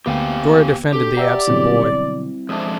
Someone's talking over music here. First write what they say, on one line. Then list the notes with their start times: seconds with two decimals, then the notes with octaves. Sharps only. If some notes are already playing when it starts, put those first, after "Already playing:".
Dora defended the absent boy.
0.06 D2 A#3 B3 G4 F5 G5 G#5
0.93 D4 F#4 G4 A4
1.17 D5 E5 F#5 G5 A#5 E6
1.48 B2 D3 F#3 G3 C4 E4
2.49 F2 G#2 D4 E5 D#6